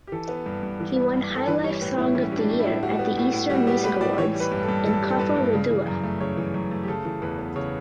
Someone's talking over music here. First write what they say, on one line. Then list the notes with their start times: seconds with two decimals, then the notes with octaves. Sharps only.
He won Highlife Song of the Year at the Eastern Music Awards in Koforidua.
0.07 G4
0.12 E3 A4
0.29 B3
0.46 G2
0.63 G2
0.80 E3
0.96 B3
1.13 G2
1.30 G2 A4
1.47 E3 B4
1.64 G3 C#5
1.81 A2 B4
1.98 A2 E4
2.15 E3 C#4
2.32 G3
2.37 D4
2.49 A2
2.60 E4
2.65 A2
2.83 G3 F#4
2.99 B3
3.17 A2
3.33 A2
3.50 G3 F#4
3.67 B3 G4
3.84 A2 B4
4.01 A2 D5
4.18 E3 C#5
4.34 G3
4.40 B4
4.52 G2
4.63 A4
4.69 G2
4.86 E3 A4
5.02 G3
5.09 A4
5.19 G2 B4
5.36 G2
5.53 C#3
5.70 E3
5.87 F#2
6.04 A3
6.21 C#3 C#5
6.37 E3
6.54 F#2
6.71 A3
6.83 G4
6.88 C#3 A4
7.05 E3
7.22 E2 B4
7.39 B3
7.56 C#3 C#5